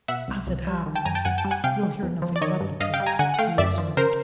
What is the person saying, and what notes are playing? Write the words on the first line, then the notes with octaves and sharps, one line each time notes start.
"As it happens, you'll hear nothing but the truth," he observed.
B2 E5 F#5
C2
C2
G3
D#3
G5 A5
F#2 G#5 A#5
G5 A5
F#2 F#5 G#5
G5 A5
G3
F#5 G#5
C3 F5 G5
G#3
E2
F3
D5
D#3 C#5 D#5
G2
G2 D#5 F5
F5 G5
G3
G#5 A#5
D3 F#5 G#5
F#5
A3 F5 G5
F#2 D5 E5
F3
C#3 A#4 C5